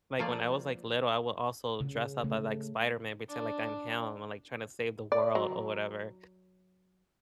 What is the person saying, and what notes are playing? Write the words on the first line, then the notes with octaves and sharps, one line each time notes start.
like, when I was, like, little, I would also dress up as, like, Spider-Man, pretend like I'm him and, like, trying to save the world or whatever.
F3 A3 A#3 F4 D5
C#3
C#3 A3
D4
D5
F#3